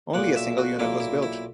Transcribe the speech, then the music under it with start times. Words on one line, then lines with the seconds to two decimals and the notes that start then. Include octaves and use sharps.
Only a single unit was built.
0.14 B1 A#2 A#3 F#5
0.36 E5
0.58 F#4
0.79 B1 A#2 A#3 E4
1.00 E4
1.22 E4